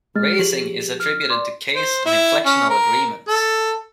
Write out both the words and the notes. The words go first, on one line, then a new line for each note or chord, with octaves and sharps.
Raising is attributed to Case and Inflectional Agreement.
G#3 F6 A6
F3 G4 G#4 F#7
F6
D5 C6
C5
E4
C#4
A#4
A4